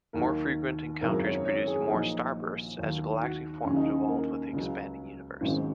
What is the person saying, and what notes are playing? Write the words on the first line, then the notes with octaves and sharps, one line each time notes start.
More frequent encounters produced more starbursts as galactic forms evolved with the expanding universe.
D#2 D#3 F#3 A#4
G#1 F#2 C#3 F#3 A#4
C#5
C#5
G#4
A#1 A#2 F#3 D#4
D#2 D#3 F#3
F#4
D#2 C#3 F#3 C#4
D#4
C#4
A#3
C#2 C#3 F#3
G#1 G#2 D#3 F#3 C#4